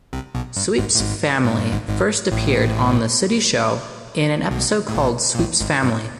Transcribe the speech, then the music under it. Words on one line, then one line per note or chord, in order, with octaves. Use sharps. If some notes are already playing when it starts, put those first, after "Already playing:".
Sweep's family first appeared on the Sooty Show in an episode called "Sweep's Family".
C2 C3
B1 B2
G2
G#1 G#2
A2
G#1 G#2
G#2
G2
G#1 G#2
G#1 G#2
A1 A2
B1 B2
A2
A#1 A#2
A#2
A1 A2
G#1 G#2
G2